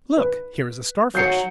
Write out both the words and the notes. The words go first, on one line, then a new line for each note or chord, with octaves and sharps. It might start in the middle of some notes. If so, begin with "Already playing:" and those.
Look, here is a Starfish!
B4
F#3 G6 C7 C#7